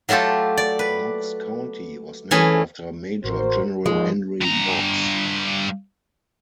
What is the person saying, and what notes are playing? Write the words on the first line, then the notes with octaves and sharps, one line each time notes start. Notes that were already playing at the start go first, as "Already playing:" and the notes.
Knox County was named after Major General Henry Knox.
F#3 A3 F4 G4 A4
D5
B4
E3 A3 C#4 G#4 B4
A1 F#4 A#4 C5
G#1 D#2 F3 G#3
G2 A#5